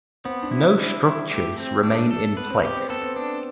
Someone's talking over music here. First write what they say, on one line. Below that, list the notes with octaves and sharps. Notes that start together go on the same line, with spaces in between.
No structures remain in place.
B3 C4
D4
E4
C4
G3 E4
E4
A3 G4
C4
D4
A4
B3 B4
C4
B3 G4
C4
B3 A4
C4
B3 D4